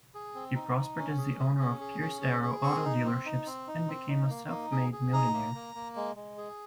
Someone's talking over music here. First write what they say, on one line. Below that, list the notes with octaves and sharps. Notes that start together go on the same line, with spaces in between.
He prospered as the owner of Pierce-Arrow auto dealerships and became a self-made millionaire.
G#4
C4
D#4
D#4
C#4
G#4
G#4
C#4
G#4
C#4
G#4
G#4
C4 C#6
D#4
C4
D#4
C4
D#4
C4
D#4
A#3
D#4
G#4
G#4
D#4 A#5
A#3
A#3
A#3
G#3
G#3
G#4